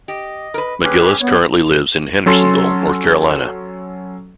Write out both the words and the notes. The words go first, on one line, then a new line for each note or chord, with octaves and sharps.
McGillis currently lives in Hendersonville, North Carolina.
G4 D#5
A#4 B4
G2 C#4 G4 G#4 B4
B3 C#5
F#3 C#4 A4 C6